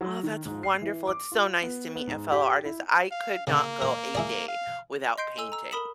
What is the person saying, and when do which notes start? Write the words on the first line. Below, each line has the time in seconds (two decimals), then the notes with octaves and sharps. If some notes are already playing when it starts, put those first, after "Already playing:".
Oh, that's wonderful! It's so nice to meet a fellow artist. I could not go a day without painting.
0.01 F#3
0.23 D#3
0.45 G#2
0.63 C7
0.82 E3
1.07 D6
1.32 F4
1.63 B3
1.96 B3
2.07 G#2
2.32 G4
2.65 E4
3.11 F5
3.47 C#3 A#3
3.82 A#4
4.15 E4 G#4 D5
4.48 F5
5.18 D#5 C6 G6 C7 D7
5.37 A4 G#5 E6 F7
5.52 A#5 E6
5.71 A#4 B5 D#6 B6 E7 F#7